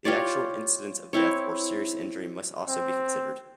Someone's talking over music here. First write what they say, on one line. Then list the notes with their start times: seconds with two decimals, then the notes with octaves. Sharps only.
The actual incidence of death or serious injury must also be considered.
0.05 F4 G4 C#5 D5
1.13 C4 E4 C#5
2.68 C4